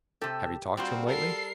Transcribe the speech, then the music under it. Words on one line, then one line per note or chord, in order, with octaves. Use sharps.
"Have you talked to him lately?"
C3 G4 A4
G3 A#3 C4 F4 F#4 C5
A4 A#4 C7